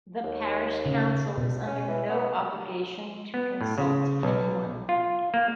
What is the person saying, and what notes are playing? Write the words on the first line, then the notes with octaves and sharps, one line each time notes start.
The parish council is under no obligation to consult anyone.
D#2
C#3
B2
C#4
E3
B3
B3
A2
C#3
B1
F4
A#3